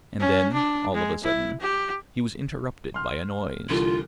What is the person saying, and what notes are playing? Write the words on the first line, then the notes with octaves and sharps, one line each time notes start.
And then all of a sudden he was interrupted by a noise.
C#4
D4
G#3
E4
G4
C6 F6
C2 D3 E3 F4